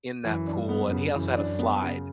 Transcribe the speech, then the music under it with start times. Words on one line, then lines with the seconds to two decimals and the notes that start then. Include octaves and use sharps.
in that pool, and he also had a slide.
0.24 F#2 E3
0.47 D4
0.55 G2
0.69 B3
0.84 F#2
0.91 C#3
1.14 F#2 E3
1.37 D4
1.59 B3
1.82 C#3